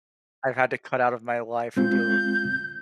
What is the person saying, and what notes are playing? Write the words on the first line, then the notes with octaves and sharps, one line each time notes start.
I had to cut out of my life who do
G#3 C4 F4 G6